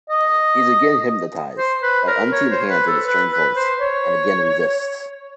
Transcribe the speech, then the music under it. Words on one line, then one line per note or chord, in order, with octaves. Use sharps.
He is again hypnotised, by unseen hands and a strange voice, and again resists.
D#5
C5
B4
A#4
C#5
C5
B4
A4
B4
B4
C5
C#5